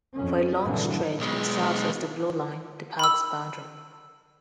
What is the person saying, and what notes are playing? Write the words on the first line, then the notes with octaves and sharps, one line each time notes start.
For a long stretch it serves as the Blue Line, the park's boundary.
F2 C#4
G2 A#2 D3 E3 F#3
B1 G#3
B5 E6